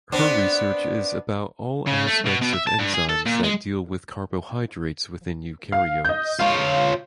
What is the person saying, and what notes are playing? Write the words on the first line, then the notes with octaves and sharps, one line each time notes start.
Her research is about all aspects of enzymes that deal with carbohydrates within eukaryotes.
B3 C4 D4
C#3
A3
B2
B2
E5
A5
G2
G#4
A4
A#2
G#3
F5
D#5 G6
F4 C#5 F5